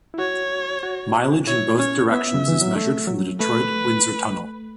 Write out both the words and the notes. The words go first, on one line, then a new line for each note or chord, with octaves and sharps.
Mileage in both directions is measured from the Detroit-Windsor Tunnel.
E4
F#4 C#5
F#4
E4 C#5
C#4 C#5
B3 E5
C#3
E3
F#3
A3
F#3
A3 B4